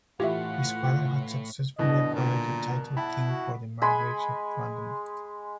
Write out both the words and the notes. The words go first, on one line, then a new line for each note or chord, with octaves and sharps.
His father had successfully acquired the title King for the margraves of Brandenburg.
A2 E3 F4 G4 E5 F#5
G2 B2 D3 E3 D4 D#5
A#2 A#4
E4 F#5 A5 B5
F#4
G#3 G#5 B5 C6